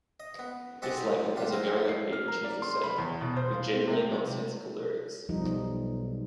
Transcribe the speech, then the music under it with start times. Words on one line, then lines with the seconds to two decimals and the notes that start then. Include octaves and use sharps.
This label has a very upbeat and cheerful sound, with generally nonsensical lyrics.
0.20 D#5
0.39 B3
0.82 C4 G4 D#5 F#5 G#5 A5
1.36 G3 B3 F4
1.52 C4 A#4
1.89 C7
2.13 F6
2.28 A#4
2.44 D5
2.62 C6
2.84 B5
2.98 E2
3.21 B2
3.36 C5
3.54 F5
3.73 C4
3.88 C3
5.29 B1 F3 G3 D#4